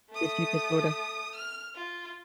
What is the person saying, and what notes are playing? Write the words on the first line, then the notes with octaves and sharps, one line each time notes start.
that you could sorta
A3 D#6
F6
F4